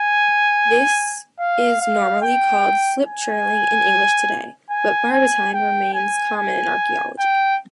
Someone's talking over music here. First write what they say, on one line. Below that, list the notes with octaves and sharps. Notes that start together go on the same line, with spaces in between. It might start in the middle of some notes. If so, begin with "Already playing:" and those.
This is normally called slip-trailing in English today, but "barbotine" remains common in archaeology.
Already playing: G#5
F5
F5
G5
G#5
G#5
G#5
G5
G#5
G#5
G5